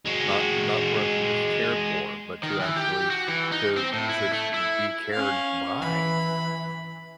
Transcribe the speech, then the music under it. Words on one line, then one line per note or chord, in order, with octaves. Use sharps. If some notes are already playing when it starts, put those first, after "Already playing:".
not not for us to just care for, but to actually to to sh be cared by.
G#3 F#4
D#3
E3
G4
F#4
E3
D#4
C4
A2
E4
A3
E4
C#4 F5
E3 B5